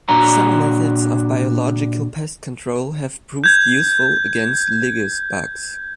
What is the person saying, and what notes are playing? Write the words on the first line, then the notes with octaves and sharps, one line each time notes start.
Some methods of biological pest control have proved useful against lygus bugs.
A#2 D4 F#4 C#5 A#5
G6 G#6